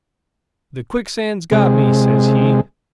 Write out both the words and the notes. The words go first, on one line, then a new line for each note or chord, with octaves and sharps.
The quicksand's got me,' sez he.
C3 G#3